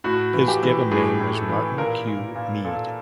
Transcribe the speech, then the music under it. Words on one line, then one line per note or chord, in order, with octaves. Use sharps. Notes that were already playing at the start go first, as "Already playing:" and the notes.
His given name was Martin Kew Meade.
A2 F#4
E3
G4
E3
A2 G#4
A2
A4
E3
A#2 A#4
A#2
A#2
A#2 A4